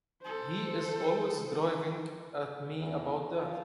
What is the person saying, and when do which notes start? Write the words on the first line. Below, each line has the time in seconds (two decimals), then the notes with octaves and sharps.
He's always driving at me about that.
0.22 A4 C5
2.79 E2
3.38 F3